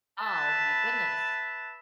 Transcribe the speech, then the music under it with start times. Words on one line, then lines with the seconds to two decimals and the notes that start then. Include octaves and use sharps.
Oh my goodness.
0.20 B4 E5 A5